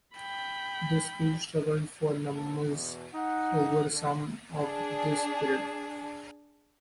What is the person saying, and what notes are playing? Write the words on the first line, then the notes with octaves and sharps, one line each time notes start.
The school struggled for numbers over some of this period.
G5 B5
D#2 A4
E2 B2
D#4 F#5
D3
D4 G#4